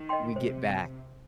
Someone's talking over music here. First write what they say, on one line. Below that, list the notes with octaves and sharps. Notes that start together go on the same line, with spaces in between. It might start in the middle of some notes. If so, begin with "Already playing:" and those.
we get back
Already playing: D#3
D#5 G5 C6
C3 C5